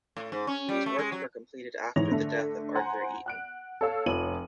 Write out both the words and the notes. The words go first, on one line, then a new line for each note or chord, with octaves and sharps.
These works were completed after the death of Arthur Eaton.
A2
G#2
C#4
G3
A3
G#3
F#3
G#2 E3 C#5 A#6 F7
D3 A3
C5 F#5 G#5 A#5
F#5 F#6 D7
A4 C#5 F5 E6
F1 F3 C#5 D#7 F#7